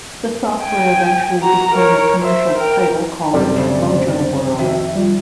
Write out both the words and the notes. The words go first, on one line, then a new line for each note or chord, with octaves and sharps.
The software eventually became a commercial title called MojoWorld.
G5 G#5
F#4 A#5
A#4 C#5
C5 E5
A#4 G5
F#2 C3 G3 A4 D5
D2 C#3 A3 C5
F2 D#3 F#4 E5
G3 F4